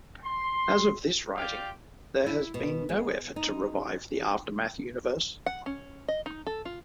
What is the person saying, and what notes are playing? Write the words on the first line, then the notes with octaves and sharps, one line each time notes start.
As of this writing, there has been no effort to revive the Aftermath Universe.
C6
F4 G4 D5 F5 G5
E4
B2
G#3
D#4
F#5
C#4
D#5
D#4
A4
F4